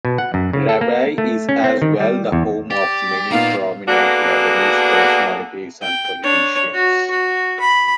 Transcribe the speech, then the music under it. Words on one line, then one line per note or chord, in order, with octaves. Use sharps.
Rabieh is as well the home of many prominent Lebanese personalities and politicians.
B2
F#5
F#2
C#3
A4
A#3
A3
C#4
C4
D#3
G3
E2
G4 D5
A#2 A#3 B3 D#4 F4 F5
A#3 B3 D4 F#4 G#4 A4
G5
D4 C#5
F#4
F#4
B5